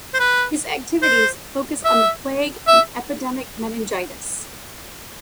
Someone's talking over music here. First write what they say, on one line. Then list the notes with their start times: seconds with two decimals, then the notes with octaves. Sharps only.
His activities focus on the plague and epidemic meningitis.
0.14 C5
0.20 B4
1.02 C5
1.85 E5
2.68 E5